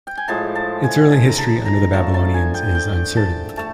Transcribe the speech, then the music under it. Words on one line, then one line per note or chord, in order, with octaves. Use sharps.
Its early history under the Babylonians is uncertain.
G5
G#5
A2 F3 G#3 A5
A5
G#5
A5
A#5
A5
A#5
D3 F3 A3 A5
A5
G#5
G5
G5
A5
A3 A5